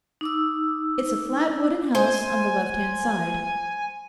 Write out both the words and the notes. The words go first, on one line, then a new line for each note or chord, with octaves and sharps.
'It's a flat wooden house, on the left-hand side.
D#4 D6 E6
C5 G#5